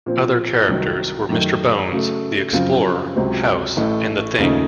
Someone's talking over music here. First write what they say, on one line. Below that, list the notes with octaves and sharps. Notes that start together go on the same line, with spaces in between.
Other characters were Mister Bones, the Explorer, House, and the Thing.
A#2 F3 C4
C2 C3 D#3 F#3
F#2 D#3 A3
C#3 F#3 A3
F#2 C#3 F3 C4 F4
C#2 C3 F#3 C4
A1 A2 A3
D#2 C#3 F3 A3 D#4